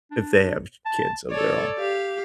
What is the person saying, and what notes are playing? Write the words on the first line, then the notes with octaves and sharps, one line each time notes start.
if they have k kids of their own.
D4
A5
A4 C#5 D5
G4 F5